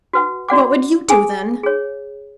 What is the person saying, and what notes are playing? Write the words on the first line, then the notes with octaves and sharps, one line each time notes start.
"What would you do then?"
F#4 B4 F#5
F#4 D5 F#5 D6
G#4 G#5 D6 D#6
G#4 C#5